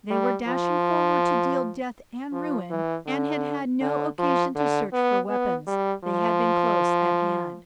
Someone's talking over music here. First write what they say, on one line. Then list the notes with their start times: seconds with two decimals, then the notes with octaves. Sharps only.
They were dashing forward to deal death and ruin and had had no occasion to search for weapons--they had been close at hand.
0.10 G3
0.47 F3
2.33 F3
2.70 E3
3.07 D3
3.81 D3
4.18 F3
4.55 D3
4.93 B3
5.29 B3
5.67 G3
6.04 F3